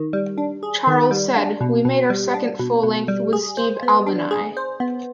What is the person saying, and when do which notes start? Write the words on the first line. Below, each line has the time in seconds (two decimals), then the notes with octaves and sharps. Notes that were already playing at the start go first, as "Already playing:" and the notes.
Charles said, We made our second full length with Steve Albini.
Already playing: D#3
0.13 G3
0.38 D4
0.63 G#4
0.87 D#3
1.11 G3
1.37 D4
1.61 B2
1.85 B2
2.10 G3
2.34 D4
2.59 B2
2.83 B2
3.08 G3
3.33 G#4
3.57 C5
3.83 B3
4.07 D4
4.31 G#4
4.57 C5
4.80 B3